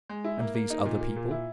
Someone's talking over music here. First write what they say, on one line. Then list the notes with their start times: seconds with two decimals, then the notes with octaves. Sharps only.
"And these other people?"
0.10 G#3
0.24 E4
0.39 A#3
0.55 A#3
0.70 D#4
0.85 A#2
1.01 A#3
1.16 A#2
1.31 E4